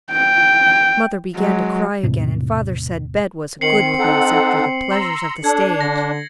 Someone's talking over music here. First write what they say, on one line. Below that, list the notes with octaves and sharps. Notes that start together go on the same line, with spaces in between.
Mother began to cry again, and father said bed was a good place after the pleasures of the stage.
G5
F#3 G#3
E1 A2 C3
D#3 C4 C7 C#7 F#7
D#4 A4 F#5
A#5 C6 E6
D4 A4 G#6
D3 A#6